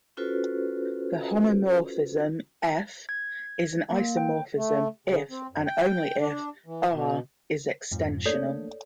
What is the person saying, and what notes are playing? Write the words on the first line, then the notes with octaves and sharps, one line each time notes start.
The homomorphism "F" is an isomorphism if and only if "R" is extensional.
C#4 F4 F#4 A4 B4 C5
G#6
A#3
G5
A3
C#3
C4
F#2
G5
D4
E3
B2
F2 G#2 F3
A3 A#3 D4 A4 C#5 D5